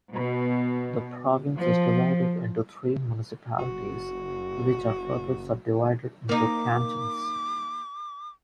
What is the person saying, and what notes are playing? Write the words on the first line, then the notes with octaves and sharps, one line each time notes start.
The province is divided into three municipalities which are further subdivided into cantons.
B2
F3
F#1 F#4
A#3 D#4 D6